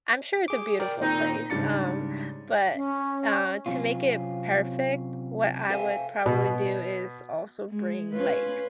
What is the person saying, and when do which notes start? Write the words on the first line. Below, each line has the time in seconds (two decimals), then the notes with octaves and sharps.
I'm sure it's a beautiful place, um, but, uh, to make it perfect, what I would probably do is also bring, like,
0.48 G#4 D6
0.80 A#4 D5 G5
1.01 A#2 D#3 C4 D#4 C5
1.50 G#2 C#3 G3 D4 A6 C#7
2.75 C#4
3.66 C3 F#3 C4 C#4 F4
5.70 A4 C5 E5 F5 G5 G#5
6.26 B2
7.70 G#3
8.12 C#4 F4 B4